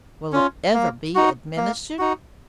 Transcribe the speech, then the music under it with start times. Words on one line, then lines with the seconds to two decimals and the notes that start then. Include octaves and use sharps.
Will it ever be administered?
0.32 C#4 F4
0.74 A#3
1.15 D#4 F#4
1.57 A#3
1.98 D#4 F#4